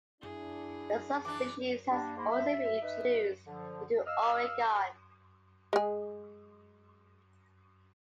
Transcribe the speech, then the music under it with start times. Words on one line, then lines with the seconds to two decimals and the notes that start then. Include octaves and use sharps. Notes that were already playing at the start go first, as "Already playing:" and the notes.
The subspecies has also been introduced into Oregon.
0.21 D4 E4 G#4
1.25 E3 D4 D6
1.91 G3 A#3 D4
2.17 G#2 A#3 B5 C6
2.31 E5
2.82 D#4 B4 E5
3.47 D3 F3
4.06 D#5 F5 E6 F6
5.73 G#3 G#4